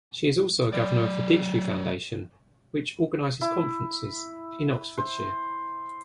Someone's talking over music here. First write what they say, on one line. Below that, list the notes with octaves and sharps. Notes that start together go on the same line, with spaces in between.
She is also a governor of the Ditchley Foundation, which organises conferences in Oxfordshire.
F#3 D5
E4
C5